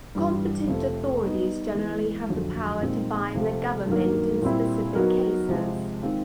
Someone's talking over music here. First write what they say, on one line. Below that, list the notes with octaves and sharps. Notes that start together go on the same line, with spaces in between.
Competent authorities generally have the power to bind their government in specific cases.
G2 E3 G3
F2 C3 F3 A3
G3 B3 D#4
E3 G#3 B3 E4
F2 D3 F#3
A#2 F3 G#3 C4 D#4
C3 F3 A3
G2 D#3 F#3 A#3
A#2 G3 C4 E4
F#3 B3 D#4 F#4 A#4
C3 F3 G#3
D#3 G#3 C4 F4